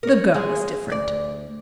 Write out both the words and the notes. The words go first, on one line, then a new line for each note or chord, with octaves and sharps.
The girl is different.
A#4 C#5
G#3 G#4
D2 D5